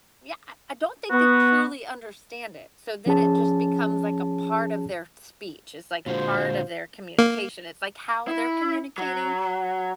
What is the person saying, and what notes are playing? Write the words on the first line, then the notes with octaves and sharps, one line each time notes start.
Yeah, I I don't think they truly understand it, so then it just becomes, like, a part of their speech. It's, like, a part of their communication. It's, like, how they're communicating,
B3 F#4
F3 C#4 G#4 A5
A#2 D3 G#3 F4 F#4 C5
A#3
E4
F#3